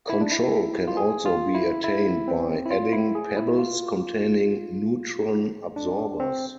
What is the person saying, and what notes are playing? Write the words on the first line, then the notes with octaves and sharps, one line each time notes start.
Control can also be attained by adding pebbles containing neutron absorbers.
E4
D4
E4
F4
G#4
F4
E4
E4
C4
E4
F4
E4
G#4
E4
F4
D4
C4